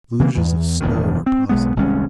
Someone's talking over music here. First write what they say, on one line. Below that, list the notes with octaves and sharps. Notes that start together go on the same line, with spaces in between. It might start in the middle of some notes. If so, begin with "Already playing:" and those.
Deluges of snow are possible.
C#3 E3 G3 A#3
E2 E3
E1 E2 G2 D#3
C4
B1 G#3 B3
D#1 C2 G#3 C#4